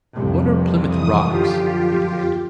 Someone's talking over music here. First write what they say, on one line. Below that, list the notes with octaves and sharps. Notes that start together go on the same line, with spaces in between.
"What are Plymouth Rocks?" he demanded.
C2 F2 C3
E3 D#6
F#2 D3 F3 F4 G4